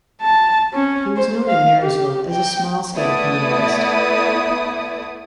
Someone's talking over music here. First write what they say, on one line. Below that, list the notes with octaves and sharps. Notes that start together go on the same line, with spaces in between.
He was known in Marysville as a small-scale con artist.
A5
C#4
C5
F5
G4
G5
A3 B3 E4 D5 D#6